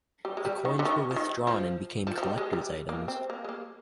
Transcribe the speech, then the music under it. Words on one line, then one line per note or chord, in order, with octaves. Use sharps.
The coins were withdrawn and became collectors' items.
G3
G#3
G3
D#3
D3
D#3
F3
D#3
F3
F3
F3
G3
G#3
G3
A#3
C4
A#3
G#3
A#3